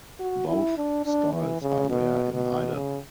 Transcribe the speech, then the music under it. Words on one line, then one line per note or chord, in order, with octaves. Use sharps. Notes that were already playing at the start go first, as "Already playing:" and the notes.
Both styles are rare in Idaho.
F#4
E4
D4
D4
E3
C#3
B2
B2
C#3